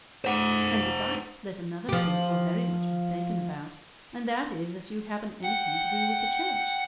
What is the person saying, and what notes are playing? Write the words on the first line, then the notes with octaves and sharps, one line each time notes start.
And, besides, there's another thing you're very much mistaken about, and that is that you haven't anything to do with the church.
C5 F#5
F3 G4
F#5 G5